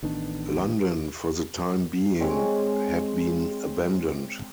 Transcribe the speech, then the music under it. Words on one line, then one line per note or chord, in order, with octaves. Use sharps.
London for the time being had been abandoned.
A1 D#3 B3 D4
G#3 C4 C#5